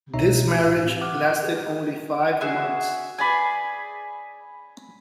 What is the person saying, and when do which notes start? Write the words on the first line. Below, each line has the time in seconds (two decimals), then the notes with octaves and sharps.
This marriage lasted only five months.
0.14 C2 B2 D#4 C#5 E5 A#5
0.62 A2 E5 F5
0.87 C4 G4 F5
1.01 F#5 D6 F6 F#6
1.43 G4 G#4 B4
2.41 F#4 G#4 E5
3.18 G#4 D5 G#5 B5